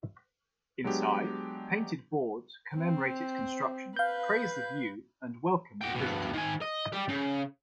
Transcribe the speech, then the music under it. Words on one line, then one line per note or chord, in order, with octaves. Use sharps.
Inside, painted boards commemorate its construction, praise the view and welcome the visitor.
F#3 G#3 B3 D4 G4
C4
B4 F5 G6
F#4 G5
G2 B2
D#3 G#5
D#5
G3 G4
C#3